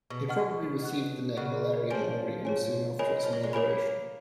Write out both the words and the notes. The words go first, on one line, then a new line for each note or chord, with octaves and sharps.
It probably received the name "Milliarium Aureum" soon after its inauguration.
B2
D#5 F#5 C#6 F6
D#5 F#5 C#6 F#6
C#3 D#5 F#5 C#6 F#6
F3 G#4 C#5 G#5
G#4 C#5 G#5
G#3 A#4 C#5 G#5 B5
F3
F#3
G#3
A#3 A#4 C#5 G#5 B5